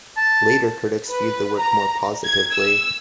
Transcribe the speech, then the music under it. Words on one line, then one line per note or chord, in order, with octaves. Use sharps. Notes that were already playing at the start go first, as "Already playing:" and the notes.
Later critics viewed the work more positively.
A5
B4
A#5
G#6
E6